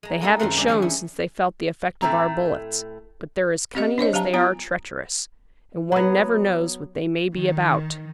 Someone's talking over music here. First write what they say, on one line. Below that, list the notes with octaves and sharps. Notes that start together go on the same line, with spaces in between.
"They haven't shown since they felt the effect of our bullets, but they're as cunning as they are treacherous, and one never knows what they may be about."
G#3 A#5
G#3 A#3 D#4 E4 A4
F#2 D#3 C4 A#4 C5 F#5
G#3 D4 G4 D5 E5
D#3 F3 C#4 D4
C#4 E4
A2 A3 C4 A#5
C4 G4 D#5
D4 C5 C#5 D#5
F#3 G4 F5 A5 A#5
B3 F4 A#5
F#3 B3
D#3